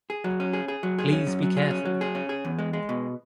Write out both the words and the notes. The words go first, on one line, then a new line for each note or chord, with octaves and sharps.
Please be careful!
G#4
F#3
C#4
G#4
G#4
F#3
G#4
C#4
F#2
F#3
G#4
C#4
F#3
G#4
C#4
G#4
E2
G#3
G#3
B2